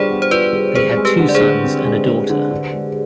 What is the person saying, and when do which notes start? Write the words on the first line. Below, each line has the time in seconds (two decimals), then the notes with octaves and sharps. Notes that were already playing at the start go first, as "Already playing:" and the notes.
They had two sons and a daughter.
Already playing: G3 D4 F4 G#4 B4 C5 D5
0.10 B3
0.22 C5
0.31 F4 B4 D5
0.53 G3
0.75 C4 G#4 C5
0.97 G#3
1.05 G4 B4
1.19 D3
1.29 D5
1.35 G#4 C5
1.42 D3
1.64 C4
1.85 G#3
2.08 D3
2.30 D3
2.51 D4
2.73 G#3